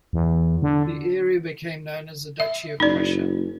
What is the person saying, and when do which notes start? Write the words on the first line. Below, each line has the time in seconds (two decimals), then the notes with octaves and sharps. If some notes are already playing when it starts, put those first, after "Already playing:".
The area became known as the Duchy of Prussia.
0.13 E2
0.62 D3
2.40 E5
2.80 F#1 D#4 D5